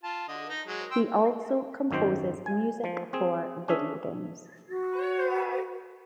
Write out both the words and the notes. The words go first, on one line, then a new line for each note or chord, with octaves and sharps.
He also composes music for videogames.
F4 A5
D3 D#5
D#4
F#3 G#3
G5 C6 E6
G#1 F#2 D#3 C5 G5
G#5
F3
C4 G#4
C#4 D4 G#4 E5
F#4